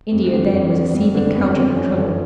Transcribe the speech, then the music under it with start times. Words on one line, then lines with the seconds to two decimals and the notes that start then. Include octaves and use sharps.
India then was a seething caldron of trouble.
0.11 F2 A3
0.32 D3 G3
0.52 F2
0.73 D3 G3
0.93 F2 G3
1.14 D3 G3 A3
1.35 F2 B3
1.55 D3 G3 C4
1.76 F#2 C#4
1.96 D3 F3